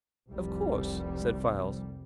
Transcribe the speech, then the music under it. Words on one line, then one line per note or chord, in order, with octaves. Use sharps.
"Of course," said Files.
F1 C2 G3